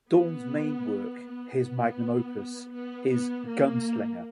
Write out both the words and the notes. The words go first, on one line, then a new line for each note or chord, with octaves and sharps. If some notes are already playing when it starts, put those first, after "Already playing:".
Dorn's main work, his magnum opus, is "Gunslinger".
B3
B3
B3
B3
B3
A#3